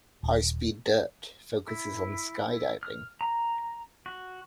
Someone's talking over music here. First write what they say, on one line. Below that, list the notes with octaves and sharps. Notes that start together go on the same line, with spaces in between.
"High Speed Dirt" focuses on skydiving.
D#1
E4
F6
A#5
F#4